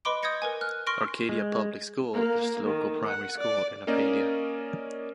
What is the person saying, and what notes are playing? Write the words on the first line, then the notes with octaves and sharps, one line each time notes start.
Arcadia Public School is the local primary school in Arcadia.
B4 D#5 B5 C6 D6 D7
D#5 D#6 G6 G#6 A#6 C#7
A#4 B4 G#5
F6 F#6
C6 C#6 F6 A#6 D7
G#3
A#3
D#3
F#5
D5
A#3 C#4 A#4 D5 D#5